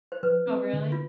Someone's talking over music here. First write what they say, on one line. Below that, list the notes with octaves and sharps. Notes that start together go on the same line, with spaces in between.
Oh, really?
C5
F3 B4
C4
D3
F4